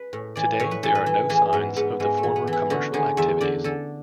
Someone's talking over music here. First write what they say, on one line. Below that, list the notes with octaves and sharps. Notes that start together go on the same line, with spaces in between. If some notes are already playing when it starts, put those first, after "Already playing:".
Today there are no signs of the former commercial activities.
Already playing: B4
A2
E3 D5
A2 C#5
B4
E3 A4
B4
E3
E3 G#4
G#2 B3
G#2 B3
G#2 G#3
A3
E3
B3
E3
E4
D3 F#4
D3 G#4
E2 E5
D3 D5
D3 A4